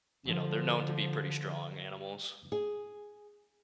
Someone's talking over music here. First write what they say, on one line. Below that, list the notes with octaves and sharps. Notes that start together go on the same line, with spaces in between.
you know, they're known to be pretty strong animals.
D3 F3
G#4